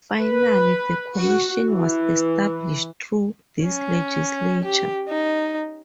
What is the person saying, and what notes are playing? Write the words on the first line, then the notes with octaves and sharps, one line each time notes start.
Finally, the Commission was established through this legislature.
B4
F#4
E3
C#4
G4
D#4